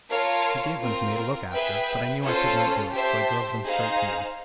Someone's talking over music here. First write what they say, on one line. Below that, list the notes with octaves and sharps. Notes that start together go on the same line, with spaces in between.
'He gave them to me to look after, but I knew I could not do it, so I drove them straight to you.
F4 A#4 C#5 F5 A5
C4 F4 A#4
G#4 B4 E5 G5
C#4 F4 A4 C5
G4 C5 E5 A5
D#4 G#4 C5 F5